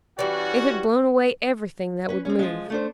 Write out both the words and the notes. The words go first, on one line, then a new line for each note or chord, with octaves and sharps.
It had blown away everything that would move.
E3 G3 C#4 F#4 D5
C#4 B4
C4 C#4
F3 G#3
A3 D4 C5